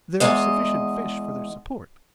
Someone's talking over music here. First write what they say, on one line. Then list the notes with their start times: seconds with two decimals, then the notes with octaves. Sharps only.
There are sufficient fish for their support.
0.20 E2 G#3 D#5